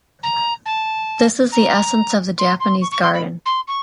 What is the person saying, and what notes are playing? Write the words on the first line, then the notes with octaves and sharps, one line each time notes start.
This is the essence of the Japanese garden.
A#5
A5
A#5
C6
C6
C#6
C#6
C6
B5
C6
C#6